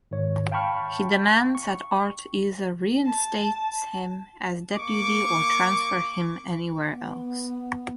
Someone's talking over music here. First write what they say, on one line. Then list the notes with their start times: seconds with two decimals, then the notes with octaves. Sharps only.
He demands that Art either reinstates him as deputy or transfer him anywhere else.
0.11 G#2 D#3 C#5
0.51 F5 G5 A5 B5 C#6 F6
1.55 C#6
3.07 A5
4.75 A#3 C#6 D6
6.91 B3